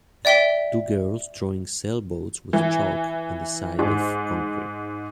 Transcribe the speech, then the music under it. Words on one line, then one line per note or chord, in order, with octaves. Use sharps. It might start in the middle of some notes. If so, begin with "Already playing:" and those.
Two girls drawing sailboats with chalk on the side of concrete.
D5 E5 G5 B6 G7
E3
G#2